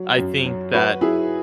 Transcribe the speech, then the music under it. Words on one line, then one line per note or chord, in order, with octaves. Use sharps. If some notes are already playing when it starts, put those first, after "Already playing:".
I think that,
Already playing: F#3
F#2
F#3
F#3 F#4 B4
F#3 E4 G#4